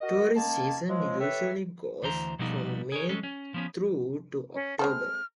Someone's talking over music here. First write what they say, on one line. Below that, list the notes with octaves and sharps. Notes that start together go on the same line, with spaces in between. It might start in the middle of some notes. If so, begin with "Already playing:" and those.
Tourist season usually goes from May through to October.
F#4 A#4 D#5
D#3 A#3 C#4 A5
F3 F#3 G#3
G4 A4 B4 C#5 E5
D2 E3 C5 A#5
B2 F3 G3 B3 D#4
G#4 A#4 C#5
G#3 C#4 A4
C#4
F3 B3 C#4
C#4
G#3 C4 A4 F6